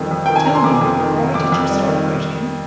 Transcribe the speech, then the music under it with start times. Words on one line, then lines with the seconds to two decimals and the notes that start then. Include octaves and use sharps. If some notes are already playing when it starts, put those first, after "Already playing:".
Tell me: why did you stop writing?
Already playing: F2 D#3 G3
0.11 F2
0.26 D#3 G5
0.36 G#5
0.45 C3 A#5
0.55 C6
0.64 F2 D6
0.81 F2
1.00 D#3
1.17 C3
1.34 F2 D6
1.52 F2
1.70 G3
1.88 D#3